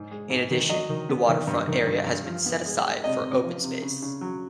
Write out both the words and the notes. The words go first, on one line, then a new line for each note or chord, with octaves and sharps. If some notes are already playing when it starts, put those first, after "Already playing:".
In addition, the waterfront area has been set aside for open space.
Already playing: G#2
G#3
G#2
D#3
F#3 D#5
D#3
B3
D#3
G2
D#3
G2
G2
F3
B3
G#3
G#3
C3 D#5
C3
F3
C3
C#3
C#3
F#3